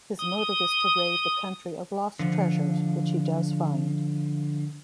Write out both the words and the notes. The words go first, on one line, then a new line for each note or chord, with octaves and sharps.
His motive is to raid the country of lost treasures, which he does find.
D#6
D3 F3